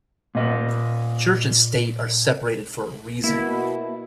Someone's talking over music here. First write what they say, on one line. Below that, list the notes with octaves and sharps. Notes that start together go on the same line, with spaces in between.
Church and state are separated for a reason.
A#2 D#5
B2 A#3 E4